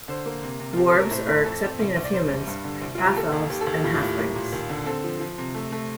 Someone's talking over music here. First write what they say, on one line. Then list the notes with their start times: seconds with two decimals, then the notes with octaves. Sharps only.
Dwarves are accepting of humans, half-elves and halflings.
0.08 D3 C5
0.26 A#3
0.43 C3
0.60 C3
0.73 F4
0.77 C4 G4
0.88 A4
0.94 A3 A#4
1.11 A2 C5
1.28 A2 A#4
1.45 F2 A4
1.63 C4
1.79 C2
1.96 C2
2.04 D5
2.13 G3 C5
2.31 G3
2.47 G2
2.64 D3
2.82 C2
2.95 C2 F4
3.05 G4
3.16 A#3 A4
3.32 D#2
3.50 D#2 G4
3.61 A4
3.67 D#2 G4
3.84 A2 F4
3.94 F4
4.01 A2 G4
4.18 A#3
4.35 A#2
4.52 D#2
4.69 D3
4.86 C4 A4
5.04 F3
5.20 F3
5.38 C3
5.54 A3
5.72 A3